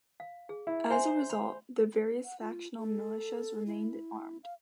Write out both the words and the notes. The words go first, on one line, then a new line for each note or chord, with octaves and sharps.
As a result, the various factional militias remained armed.
F5
G#4
E4
C5 E5 G#5 C6
B5
F#5
F4
A4
E4
F5